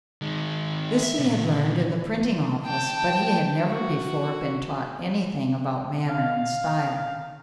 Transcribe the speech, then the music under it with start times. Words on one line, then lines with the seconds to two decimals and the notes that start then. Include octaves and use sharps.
This he had learned in the printing office, but he had never before been taught any thing about manner and style.
0.22 D#3 G#3
1.03 E5
1.19 A#2 C#3
2.65 G5 A5
3.66 F#4
6.10 F5